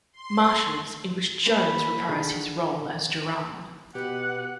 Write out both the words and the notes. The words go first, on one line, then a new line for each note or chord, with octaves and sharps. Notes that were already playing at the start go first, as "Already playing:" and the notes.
Marshals, in which Jones reprised his role as Gerard.
C6
A#3 C#4 G#4 B5
D3 G#4
B2 G4 B4 F#5